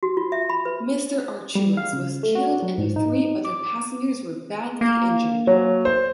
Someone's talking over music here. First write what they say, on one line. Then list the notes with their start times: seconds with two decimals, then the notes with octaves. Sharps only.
Mr. Achuas was killed and the three other passengers were badly injured.
0.03 F#4
0.17 F4
0.32 E5
0.50 B5
0.65 B4
1.55 G3
1.77 F5
1.93 C#3
2.23 A3
2.35 F#4
2.63 F#3
2.78 G#2
2.96 D#4
3.45 D6
4.81 A#3
5.47 F#3 C#5
5.85 C5